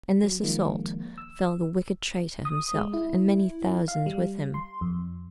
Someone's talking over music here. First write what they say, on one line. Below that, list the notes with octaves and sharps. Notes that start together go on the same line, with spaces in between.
In this assault fell the wicked traitor himself, and many thousands with him.
F#3
D#3 F3 G#3 A#3
E6
D#6
G#3
E4
F5
G3
C6
F2